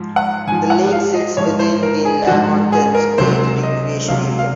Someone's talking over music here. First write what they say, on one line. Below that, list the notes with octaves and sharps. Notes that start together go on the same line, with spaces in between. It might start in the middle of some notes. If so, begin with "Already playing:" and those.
The lake sits within the Lahontan State Recreation Area.
Already playing: G#2 F3
F#5
G#2 F3 G#5
F#5
F5
D#5
G#2 F3 C#5
C5
A#4
G#4
G#2 F3 F#4
G#4
A#4
C#2 C3 F#3 C5
D#5
C#2 C3 F#3 F5
F5